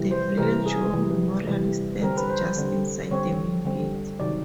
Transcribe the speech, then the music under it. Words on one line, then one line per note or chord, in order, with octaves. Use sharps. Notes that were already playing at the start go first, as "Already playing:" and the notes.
The village war memorial stands just inside the main gate.
Already playing: C3 E3 G3
C5
C3 E3 G3 A#4
G#4
C3 E3 G3
C3 E3 G3
D3 G3 C4 A#4
B4
C5
D3 G3 C4
D3 G3 C4 C#5
D3 G3 C4
C3 D#3 F#3 D5